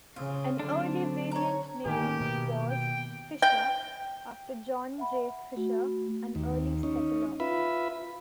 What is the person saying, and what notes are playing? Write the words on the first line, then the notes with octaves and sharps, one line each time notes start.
An early variant name was "Fisher", after John J. Fisher, an early settler.
C#3 F4
D3 F#3 C4 D4
C#5 A#5
A2 D#3 A#3 G4 G#5
B2
G5
G5
E5 F#5 B5
A3 F#4
D#2
C#4 D#4
F4 B4 E5 B5